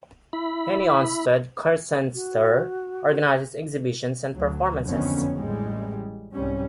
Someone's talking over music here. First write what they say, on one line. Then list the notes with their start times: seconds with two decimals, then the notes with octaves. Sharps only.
Henie Onstad Kunstsenter organizes exhibitions and performances.
0.33 E4 B5
2.15 F#4
4.33 D2 F#3
4.84 F#1 F2 D3 D#3 B3 C#4
5.35 A1 G3 G#3
6.33 C2 G#2 G3 C#4